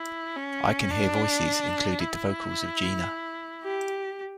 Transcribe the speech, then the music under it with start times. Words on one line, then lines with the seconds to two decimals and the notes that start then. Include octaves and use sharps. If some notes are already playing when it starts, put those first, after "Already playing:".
"I Can Hear Voices" included the vocals of Jina.
Already playing: E4
0.36 C#4
0.90 D4
2.00 E4
3.64 G4